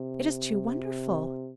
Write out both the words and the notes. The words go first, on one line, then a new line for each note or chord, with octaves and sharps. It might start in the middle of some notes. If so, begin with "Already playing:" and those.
It is too wonderful.
Already playing: C3